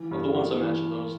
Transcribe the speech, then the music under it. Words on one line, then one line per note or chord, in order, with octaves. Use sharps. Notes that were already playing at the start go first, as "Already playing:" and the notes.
of the ones I mentioned, those
Already playing: E3
G2
G2
E3